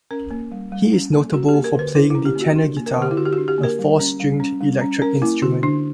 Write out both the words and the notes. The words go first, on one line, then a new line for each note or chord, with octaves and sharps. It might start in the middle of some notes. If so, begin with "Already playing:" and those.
He is notable for playing the tenor guitar, a four-stringed electric instrument.
C#4 A#4
A#3
G3
G3
C#4
A#3
C#4 F#4
G4
A#3
A#4
D3 B4
D3 E4
E4
C#4
G4
A#3
F#4
D4
A#3
A#4
D3 G4
E4
D3 F#4
G4
F#4
D4
G4
A#3
A#4
G3
C#4
G3
C#4
G3
C#4
C#4 A#4
A#3 E4
D3 F#4
D3 D4